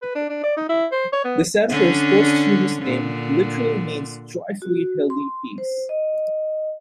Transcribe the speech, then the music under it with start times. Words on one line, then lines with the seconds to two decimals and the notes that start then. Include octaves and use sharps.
This emperor's posthumous name literally means "joyfully healthy peace".
0.02 B4
0.15 D4
0.29 D4
0.43 D5
0.57 D#4
0.69 E4
0.92 C5
1.13 C#5
1.24 B3
1.69 D3 C#4 D4
2.82 A#2 D3
4.62 F#4
5.10 C6
5.58 C5
5.89 D#5